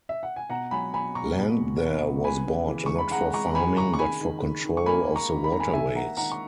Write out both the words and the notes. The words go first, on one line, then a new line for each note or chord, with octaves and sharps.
Land there was bought not for farming but for control of the waterways.
E5
F#5
G#5
B2 F#5 A#5
F#3 G#5 B5
B2 G#5 B5
B2 A#5 C#6
B2
B2
B2
B2
B3 G#5 B5
C#3
E3
G#3 C#6
B5
G#3 F#5 A#5
G#3 A#5 C#6
C#3 G#5 B5
C#3 A#5 C#6
C#6
D#3 G#5 B5
D#3
D#3
D#3
C#6
A#3 G#5 B5
A#3
A#5 C#6
D#3
B5
D#3 A#5
G#5 B5
D#3 E5 G#5
A#3 F#5 A#5
D#3 F#5 A#5
C#6